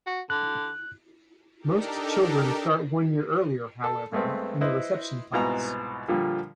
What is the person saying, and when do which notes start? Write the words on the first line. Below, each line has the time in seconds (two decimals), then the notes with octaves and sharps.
Most children start one year earlier however, in the Reception class.
0.06 F#4
0.30 D3 F#6
1.60 D4 D#4 G4 A4 A#4
3.84 A4
4.12 G2 G#3 A3 B3 C4
4.61 E4 B4 C5 D#5
5.33 C2 G#2 B2 F4 A#5
6.08 A#2 D3 F3 G3